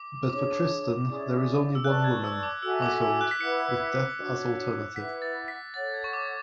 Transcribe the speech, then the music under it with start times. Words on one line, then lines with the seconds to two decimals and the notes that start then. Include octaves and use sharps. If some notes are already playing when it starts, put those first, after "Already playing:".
But for Tristan there is only one woman, Isolde, with Death as alternative.
Already playing: D6
0.29 D4 G#4 C#5 D6
1.07 C#4 E4 G#4 D5
1.75 E6
1.84 B4 D5 A5 C#6 F#6
2.04 G#6
2.24 E6
2.43 D6
2.62 F#4 A4 E5 G#5 E6
2.82 D6
3.02 E6
3.21 F#6
3.31 B6
3.41 E4 B4 F#5 C#7
4.19 D4 F#4 C#5
4.96 E4 B4 F#5 B6
5.22 A6
5.48 B6
5.74 A4 C#5 F#5 A6
5.94 G#6
6.04 C#6
6.13 D6